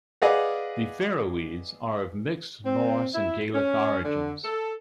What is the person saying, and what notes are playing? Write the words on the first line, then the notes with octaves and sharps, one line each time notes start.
The Faroese are of mixed Norse and Gaelic origins.
G#4 B4 D5 D#5 F5 F#5
C4
E4
C#4
D3
A4